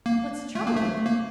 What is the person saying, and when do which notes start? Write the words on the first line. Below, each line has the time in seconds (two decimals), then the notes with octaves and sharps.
"What's the trouble with her?"
0.06 A#3
0.55 A3
0.66 A#3
0.77 A3
1.06 A#3